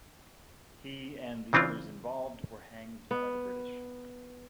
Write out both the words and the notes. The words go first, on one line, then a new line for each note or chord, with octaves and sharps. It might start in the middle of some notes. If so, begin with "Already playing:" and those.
He and the others involved were hanged by the British.
C#3 E3 C4 D4 F4
B3